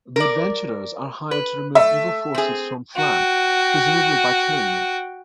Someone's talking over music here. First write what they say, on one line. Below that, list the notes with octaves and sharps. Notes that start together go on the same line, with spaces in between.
The adventurers are hired to remove evil forces from Phlan, presumably by killing them.
A#4 D5
B4
A3 E5
C4 G#4
F#4 G5